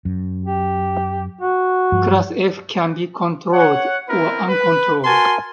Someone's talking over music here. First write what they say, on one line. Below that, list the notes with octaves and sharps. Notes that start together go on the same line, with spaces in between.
Class F can be controlled or uncontrolled.
F#2
G4
F#4
G2 F3
C#5 F#5
B3 C4 E4 A#4 B4
B4
F#4 A#4 G#5 A5 C6